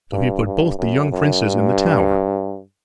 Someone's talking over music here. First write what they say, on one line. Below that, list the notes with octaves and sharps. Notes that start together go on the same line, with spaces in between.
So he put both the young princes in the Tower.
G2
G2
F#2
F#2
G2